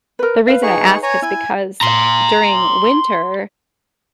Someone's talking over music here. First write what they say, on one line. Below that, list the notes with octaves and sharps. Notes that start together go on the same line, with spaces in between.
The reason I ask is because during winter,
A#4 B4
B4 F5
D#4 G#4 C#6
C#5 G#5 A#5
E4 G#5
A#5 C6